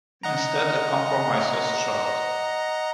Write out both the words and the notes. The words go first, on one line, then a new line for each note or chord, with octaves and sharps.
Instead, a compromise was struck.
D#5 F#5 A#5